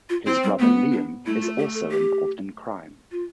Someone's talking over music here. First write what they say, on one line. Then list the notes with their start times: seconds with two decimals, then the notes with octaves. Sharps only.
His brother Liam is also involved in crime.
0.09 F4
0.26 C4 E4
0.43 G3
0.59 A3 B3
0.92 D4
1.26 A3 E4
1.42 F4
1.59 G4
1.75 A4
1.91 G4
3.12 F4